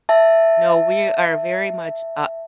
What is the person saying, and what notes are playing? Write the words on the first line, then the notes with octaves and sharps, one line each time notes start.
No, we are very much up.
E5 A5